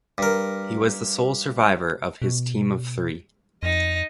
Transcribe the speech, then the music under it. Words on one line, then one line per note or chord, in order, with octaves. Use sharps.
He was the sole survivor of his team of three.
G2 A#4
B2
F2 D#4 D#5